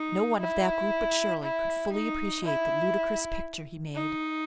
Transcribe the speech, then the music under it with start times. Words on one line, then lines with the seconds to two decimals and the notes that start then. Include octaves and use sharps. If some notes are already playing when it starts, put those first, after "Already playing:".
No one of that group but Shirley could fully appreciate the ludicrous picture he made.
Already playing: D#4
0.41 E4
1.43 E4
1.93 D#4
2.44 E4
3.95 D#4